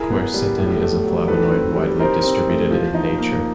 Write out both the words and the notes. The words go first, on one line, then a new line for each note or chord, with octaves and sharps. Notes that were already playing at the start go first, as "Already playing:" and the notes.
Quercetin is a flavonoid widely distributed in nature.
Already playing: E4 G#4 A#4
B3
G3
A2
A3
F#3
D#3 A4 B4
C4
G3
D#4 A#4 C5
C4
A3
F3
D#4
A#3